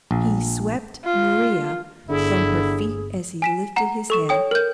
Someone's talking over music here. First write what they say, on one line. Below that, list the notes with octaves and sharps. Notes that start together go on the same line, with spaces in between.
He swept Maria from her feet as he lifted his head.
A#1
F4
G1 D3 E4 G#4
G#5 B6 E7
F#5 A#5
A4 C#6 E7
C#5 G5 D#6
A#4 G6